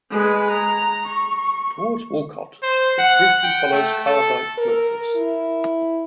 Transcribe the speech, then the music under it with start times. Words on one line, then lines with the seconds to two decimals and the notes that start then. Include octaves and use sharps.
Towards Walcott it briefly follows Car Dyke northwards.
0.11 G#3 B4
0.51 A#5
1.06 C#6
2.63 C5
2.98 F#5
3.43 G5
3.72 A3
4.06 A4
4.58 A#4
5.16 E4